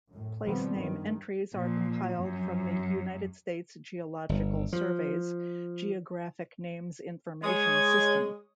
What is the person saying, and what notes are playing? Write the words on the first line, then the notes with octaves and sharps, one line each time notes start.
Placename entries are compiled from the United States Geological Survey's Geographic Names Information System.
F#2 A2
B2 D#3 F3 G3 B3 C4
G2 D#3
A#2 F3
F#2
G1
F3
G#3 C#5 D#6 G#6